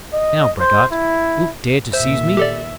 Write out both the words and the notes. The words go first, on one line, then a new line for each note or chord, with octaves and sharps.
"Now, braggart, wilt dare to seize me?"
D#5
C5
E4
D#2 A#2 C5 E5
G4 A4 D5